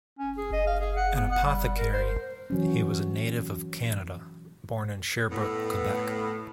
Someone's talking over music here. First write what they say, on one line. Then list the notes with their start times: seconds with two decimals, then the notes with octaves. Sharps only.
An apothecary, he was a native of Canada born in Sherbrooke, Quebec.
0.19 C#4
0.37 G#4
0.53 D#5
0.67 F5
0.80 G#4
0.96 F#5
1.15 B3
1.31 F#5
1.44 G3
1.77 A#4
1.93 C5
2.50 E3 F#3 C#4
5.31 A2 B3